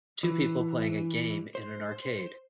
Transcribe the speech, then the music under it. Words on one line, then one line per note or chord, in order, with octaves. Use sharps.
Two people playing a game in an arcade.
E3
C5